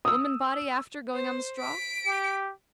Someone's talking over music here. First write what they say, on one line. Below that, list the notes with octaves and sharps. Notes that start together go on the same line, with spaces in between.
Womanbody after going on the straw?
D#6 E6
C5
B6 D7
G4